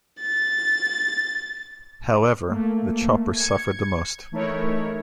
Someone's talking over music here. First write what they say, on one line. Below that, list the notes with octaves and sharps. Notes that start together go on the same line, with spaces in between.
However, the Choppers suffered the most.
A6
A3 A#3
G#6 C#7
E3 A3 D#4 E4 A#4 C#5